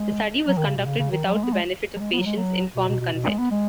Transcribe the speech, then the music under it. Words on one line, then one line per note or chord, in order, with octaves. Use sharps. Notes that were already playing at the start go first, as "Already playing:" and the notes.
The study was conducted without the benefit of patients' informed consent.
Already playing: G#3
F#3
D#3
C#3
B2
C#3
C#3
D#3
F#3
G#3
B3
G#3
F#3
G#3
B3
F#3
G#3
F#3
B2
B2
B2
B2
G#3
B3
G#3